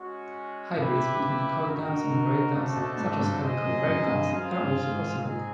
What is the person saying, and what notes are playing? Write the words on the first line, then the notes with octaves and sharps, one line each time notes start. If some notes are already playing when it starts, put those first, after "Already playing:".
Hybrids between coilguns and railguns such as helical railguns are also possible.
Already playing: G#3 C#4 F#4
C3 E4 G4 B4 D5
D3
C#3
D3 D#4 F#4 A#4
D#3
D3
D3
C#3 A3 D4 F#4 A4 C5
B2
G#2
G2
E4 G#4 C5 D#5
F#2
F#2
G2
F#2 F4 G#4 C5 F5
G2
G#2
G#3 C4 D#4 G#4